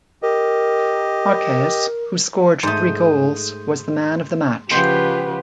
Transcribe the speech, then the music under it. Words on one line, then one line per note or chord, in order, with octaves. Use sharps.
Marques, who scored three goals, was the man of the match.
G4 A#4 D#5
G#2 A3 C5 D#6
C#3 F3 G4 B4 C5 F#5 G5 C6